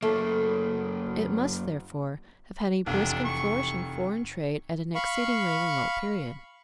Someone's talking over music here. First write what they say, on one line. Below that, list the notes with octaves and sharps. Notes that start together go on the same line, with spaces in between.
It must, therefore, have had a brisk and flourishing foreign trade at an exceedingly remote period.
F#2 A3 A#3
F1 E2 D4
C#6
F5 B5 C#6